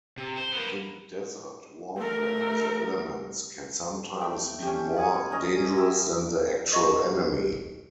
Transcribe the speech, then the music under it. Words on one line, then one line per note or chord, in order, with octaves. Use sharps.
In desert warfare the elements can sometimes be more dangerous than the actual enemy.
C3
C5
A#3 B3
A3 A#4
A3 D5 G5
C#4 G4
D5 D#5 G#5 C#6
C#4 D#5 G#5 A#5
G4 E5
D#5 C#6